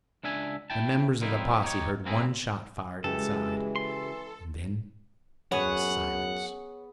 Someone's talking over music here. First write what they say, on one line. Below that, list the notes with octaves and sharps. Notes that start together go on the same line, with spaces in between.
The members of the posse heard one shot fired inside, and then there was silence.
C#2 D4 E5 G#5
E4 G5 A5
F3 G3 C4 D#4 E4
D#4 G4 C#5
A#3 C4 E4 G#4
C#3 E3 G#3 F#4 G4 A4
A4 C6
F#2 B3 G#4 C#5 F#5